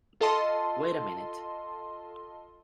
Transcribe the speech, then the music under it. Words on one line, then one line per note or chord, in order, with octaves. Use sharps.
Wait a minute.
F4 A4 D#5 A5 C6